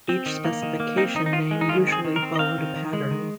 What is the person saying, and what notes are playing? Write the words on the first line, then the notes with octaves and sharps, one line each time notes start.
Each specification name usually followed a pattern.
C4
D#3
A#3
D#3
A#3
C4 D#4
D#3 D#4
D#4
D#3 F4
G#3
D#4
D#3 F4
C4
G#4
D#3
A#4
C4
D#5
C4 F5
D#3
D#3
G#3
D#3